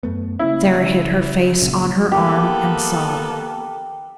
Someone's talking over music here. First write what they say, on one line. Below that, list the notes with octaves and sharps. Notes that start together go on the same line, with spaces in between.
Sara hid her face on her arms and sobbed.
F#2 A3 B3
C#3 A#3 C#4 E4
C#3
C#2 A#2 C#3
A#3 B3 G4 A4